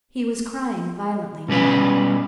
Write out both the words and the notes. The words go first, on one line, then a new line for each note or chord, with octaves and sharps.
He was crying violently now.
B2 G3 C#4 B4